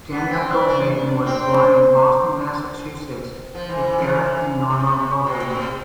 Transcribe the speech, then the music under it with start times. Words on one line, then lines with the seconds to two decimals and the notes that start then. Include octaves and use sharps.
Daniel Goldhagen was born in Boston, Massachusetts to Erich and Norma Goldhagen.
0.12 B3
0.30 C4
0.49 D4
0.68 D4
1.26 C4
3.55 F3
3.69 E3
3.84 E3
3.98 F3
4.12 E3
4.70 C3
5.27 B2
5.42 B2
5.55 C3